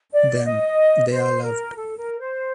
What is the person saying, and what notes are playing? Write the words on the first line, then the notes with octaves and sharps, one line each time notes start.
Them, they are loved.
D5
D#5
C5
A#4
A4
A#4
C5